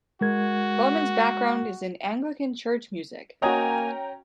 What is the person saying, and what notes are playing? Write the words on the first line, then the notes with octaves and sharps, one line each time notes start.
Bowman's background is in Anglican church music.
G#3 F#4 A#4 G#6
A#3 C#4 F#4 D#5 G5 G#5 A#5